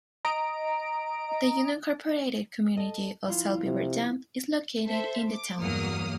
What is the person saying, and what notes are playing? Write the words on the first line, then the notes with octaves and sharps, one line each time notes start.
The unincorporated community of South Beaver Dam is located in the town.
D#5 A#5 D7
A4 D#5 A5
F3 E4 F4
C3
A4 C5 E5
D6
E2 G2 F#3 A#3 D#6 F6